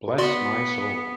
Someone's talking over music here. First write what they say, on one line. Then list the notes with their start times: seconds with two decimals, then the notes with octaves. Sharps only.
Bless my soul!
0.18 B3 F#4 D5 C6